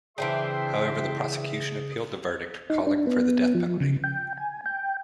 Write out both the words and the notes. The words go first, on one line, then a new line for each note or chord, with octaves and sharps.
However, the prosecution appealed the verdict, calling for the death penalty.
C#3 E3 C4 D4 G#4 E5 G5 C6
D#4
D4
B3
F3
C#3
G5
G#5
G5